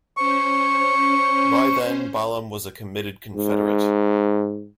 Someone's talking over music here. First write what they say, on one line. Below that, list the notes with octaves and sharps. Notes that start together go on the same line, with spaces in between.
By then, Ballam was a committed Confederate.
C#4 C5 C#6
G#2